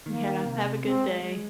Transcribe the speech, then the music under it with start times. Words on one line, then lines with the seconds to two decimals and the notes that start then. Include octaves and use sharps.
Yeah. Have a good day.
0.06 D#3 A#3
0.45 C3
0.84 G#3 C4
1.22 G#3